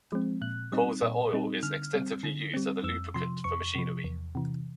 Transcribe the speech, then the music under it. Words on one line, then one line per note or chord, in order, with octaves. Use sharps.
Colza oil is extensively used as a lubricant for machinery.
F3 G#3 C4
A#2 F#6
G3 C4 D#4
A#2
G3 C4 D#4
D3 F6
G3 C4
D3
G3 C4
F2 E6
C3 F3 C6
F2 C#6
C3 F3
E2
C3 E3